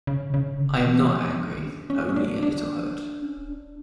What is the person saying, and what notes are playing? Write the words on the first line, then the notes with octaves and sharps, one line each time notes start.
I am not angry, only a little hurt.
C#3
C#3
D3
E3
F3
D4
C#4
C#4
C#4
D4
D4
C#4
D4